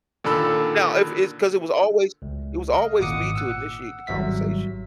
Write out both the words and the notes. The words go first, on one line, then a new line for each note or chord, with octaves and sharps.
now if it's 'cause it was always it was always me to initiate the conversation.
A#2 D3 D#3 A4 B5 E6
C#2
D#5 F5
G#1 A#2 F#5 D6 D#6 C#7
F#5 E6
G#1 F#3 G3 E5 B6